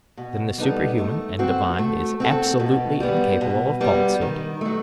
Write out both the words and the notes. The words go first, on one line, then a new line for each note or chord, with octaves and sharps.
Then the superhuman and divine is absolutely incapable of falsehood?
B2
G3 B3 D#4 A4
A3
C4 F#4 A4
A3
C4 F#4 A4
B2
G3 B3
B2
G3 B3
D#3
F#3 A3